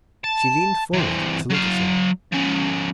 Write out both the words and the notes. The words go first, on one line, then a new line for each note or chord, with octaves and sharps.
She leaned forward to look at him.
A5
E3 C4
F#3 F5
F3 C#4